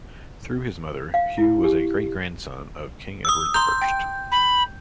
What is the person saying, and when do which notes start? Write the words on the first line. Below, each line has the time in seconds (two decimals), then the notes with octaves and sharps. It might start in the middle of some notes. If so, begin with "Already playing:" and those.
Through his mother, Hugh was a great grandson of King Edward the First.
1.14 F5
1.38 E4
1.64 G4
3.25 D#6 E6
3.54 A#5 C6 G6
3.82 G5
4.32 B5